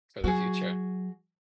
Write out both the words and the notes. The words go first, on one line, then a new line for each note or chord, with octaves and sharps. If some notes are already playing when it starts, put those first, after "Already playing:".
For the future.
F#3 F#4 G#4